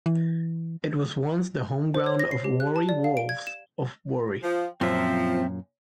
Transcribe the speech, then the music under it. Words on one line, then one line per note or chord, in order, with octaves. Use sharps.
It was once the home ground of Warri Wolves of Warri.
E3
C5
C#5
A#6
C7
G4
F#6
A5
D5
F5
D7
G#6
E7
F3
F#2 A#2 F3 C4 E5